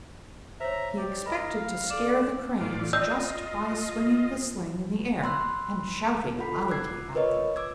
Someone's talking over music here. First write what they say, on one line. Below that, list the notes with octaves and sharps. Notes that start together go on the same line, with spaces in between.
He expected to scare the Cranes just by swinging the sling in the air, and shouting loudly at them.
C5 C#5 E5 A#5
G4 D5
A#4 D#5 B5
F5
A4 D5 E7
A2 F4 D5
F4 D5 D#5 E6 G6
B5 C6 E6 F#6
F4 A4 F#5 B5 B6
D6 E6 F#6 G#6 C7
F4 A#4 B4 C#5 D#5 C#6
D6 E6 G#6